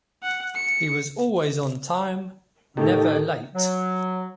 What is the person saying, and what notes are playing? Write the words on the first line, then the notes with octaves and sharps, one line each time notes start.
He was always on time, never late.
F#5
C#7
A2 D#3 A3 D#4 G4 A4
F#3